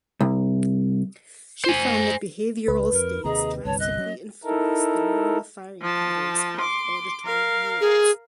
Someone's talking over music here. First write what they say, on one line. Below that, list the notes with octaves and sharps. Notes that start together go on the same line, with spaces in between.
She found that behavioral states drastically influence the neural firing patterns of auditory neurons.
C2
C5 G#5
C#2 B4
F2 A#4
D#2 C3 D#3 G#4 D#5 A#5
G1 C2 C#5 A5
D#5 F#6
F#3 C#4
D#4 E4 A4 A#4
F3 A5
C6 D6
A#4 F5
G#4